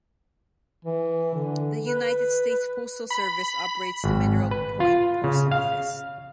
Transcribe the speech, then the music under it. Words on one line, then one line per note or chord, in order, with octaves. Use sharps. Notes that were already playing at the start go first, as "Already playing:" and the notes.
The United States Postal Service operates the Mineral Point Post Office.
E3
D3
B4
B5
G#1
B4
F4
C#3
F5